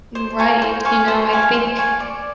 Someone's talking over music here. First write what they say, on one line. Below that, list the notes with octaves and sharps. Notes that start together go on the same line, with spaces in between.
Mm, right, you know, I think
C5
F5 G#5 C#6
C5
F5 G#5 C#6
C5
F5 G#5 C#6
C5
F5 G#5 C#6
D5